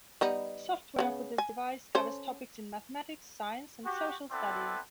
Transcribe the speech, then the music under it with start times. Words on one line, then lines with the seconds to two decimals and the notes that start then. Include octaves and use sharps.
Software for this device covers topics in mathematics, science, and social studies.
0.21 G3 B3 D#4
0.99 C#3 B3
1.38 G#5
1.95 C#4 A4 C5
3.85 F#4 G4
4.32 B3 C4 E4 A4 B4 D5